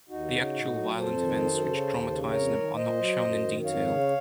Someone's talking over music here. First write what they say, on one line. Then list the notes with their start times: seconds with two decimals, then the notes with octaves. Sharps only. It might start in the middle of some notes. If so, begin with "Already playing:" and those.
The actual violent events which traumatise them are not shown in detail.
0.09 D#2 D#4 F#4
0.32 C#3
0.54 A2
0.76 F#3
0.99 F2 A4 C5
1.21 D#3
1.43 F#2
1.66 C#3
1.87 D#2
2.10 C#3
2.32 F2 A#4 C#5
2.55 D#3
2.76 A#2 C5 D#5
2.99 F#3
3.21 F#2
3.43 D#3
3.65 F2 C#5 F5
3.88 C#3